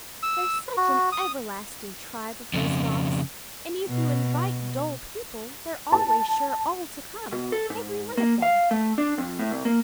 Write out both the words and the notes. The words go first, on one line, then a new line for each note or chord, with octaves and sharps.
There's such an everlasting tribe of those Moths; and if you invite dull people they're always sure all to come, every one of them.
E6
F#4
D#6
F2 C#3
B2
A5
B2
A4
G#2
A#3
F5
A3
D4
F2
A2
C2
A#3